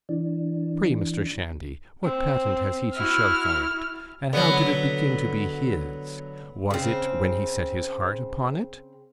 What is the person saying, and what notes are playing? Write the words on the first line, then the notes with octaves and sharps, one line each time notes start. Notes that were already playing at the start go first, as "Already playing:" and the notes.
Pray, Mr. Shandy, what patent has he to shew for it? and how did it begin to be his? was it, when he set his heart upon it?
E3 D4
C4
E4 F#4 F6
D3 F#3 B3
C#3 C4